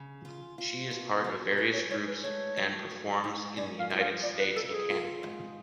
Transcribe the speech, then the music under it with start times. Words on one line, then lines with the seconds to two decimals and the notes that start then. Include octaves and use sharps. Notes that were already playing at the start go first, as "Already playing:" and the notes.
She is part of various groups and performs in the United States and Canada.
Already playing: C#3
0.25 F4
0.58 F4
0.91 B2
1.24 F#3
1.57 C#4 B4
1.74 C#5
1.91 G#3 C#5
2.07 B4
2.24 A3 C#5
2.57 F#3
2.91 G#2
3.24 G#2
3.57 C#4 D5
3.79 F5
3.90 F3
4.01 F5
4.23 F2 D5
4.40 B4
4.56 F2 A4
4.73 G#4
4.90 F4
5.23 G#2